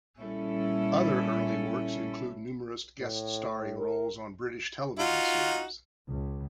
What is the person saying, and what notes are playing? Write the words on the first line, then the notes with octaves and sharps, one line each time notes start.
Other early works include numerous guest-starring roles on British television series.
A#2 G3 C#4 E4 A4
A2
A#4
D#4 F4 F#4
C#2